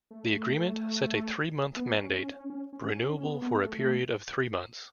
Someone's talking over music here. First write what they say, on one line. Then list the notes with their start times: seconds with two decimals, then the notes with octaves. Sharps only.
The agreement set a three-month mandate, renewable for a period of three months.
0.11 A3
1.77 B3
1.95 C#4
2.13 C#4
2.31 C#4
2.50 C#4
2.73 C#4
2.96 C#4
3.16 C#4
3.24 B3
3.42 B3
3.55 B3
3.61 A3
3.79 A3